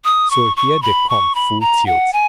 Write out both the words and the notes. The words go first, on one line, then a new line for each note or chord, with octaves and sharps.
So here they come, full tilt.
D#6
C#6
C#6
B5
C#6
B5
A#5
F#5
G#5